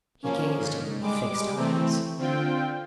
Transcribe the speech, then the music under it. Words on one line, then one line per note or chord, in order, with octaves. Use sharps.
He gazed at me with fixed eyes.
F3 A#3 C#4
G#2
G3 G#3 D6
E3 A3 C4
D3 C4 F4 G5